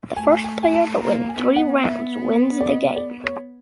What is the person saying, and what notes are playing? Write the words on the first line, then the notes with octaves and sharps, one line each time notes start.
The first player to win three rounds wins the game.
A3 G#5
A5
G#5
G#5
G#5
A5
A#3 A#5
G#5
B3
F#5
E5
D5
D#5
D5
C#5